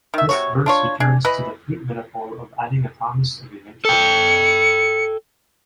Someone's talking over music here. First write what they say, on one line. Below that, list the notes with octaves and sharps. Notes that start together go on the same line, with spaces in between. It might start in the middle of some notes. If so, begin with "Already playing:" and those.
This verse returns to the fruit metaphor of adding a promise of eventual punishment.
D#3 E5
C3 F#4 C#5
D4 F4 C#5
D4 G#4
E3 B4 D#5 B5
A4 G5 C#7